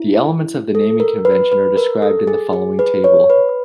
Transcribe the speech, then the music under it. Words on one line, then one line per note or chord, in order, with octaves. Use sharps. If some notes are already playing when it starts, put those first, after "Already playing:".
The elements of the naming convention are described in the following table.
Already playing: E4
A4
A#4
B4
B4
A#4
A4
G#4
G#4
B4
C#5
B4